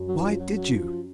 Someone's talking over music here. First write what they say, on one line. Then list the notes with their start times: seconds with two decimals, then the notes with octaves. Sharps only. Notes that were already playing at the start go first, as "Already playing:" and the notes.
"Why did you?"
Already playing: F#2
0.08 F#3
0.17 E3
0.24 F3
0.40 F#3
0.56 F#3
0.72 F3